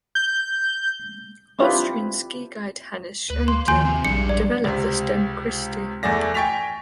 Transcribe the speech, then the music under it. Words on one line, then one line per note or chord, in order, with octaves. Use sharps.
Austrian ski guide Hannes Schneider developed the stem christie.
G6
C4 D4 E4 F4 G4 B4
D2 B4
A#3 C6
D#2 D#3 F3 G#5 C6 G6
C3 C4
A#1 G3 G#3 D4 C#7
D5
C#2 C3
F#1 E2 A3 G#4 D5 A#6
G5 G#5 C#6 A6 B6 F7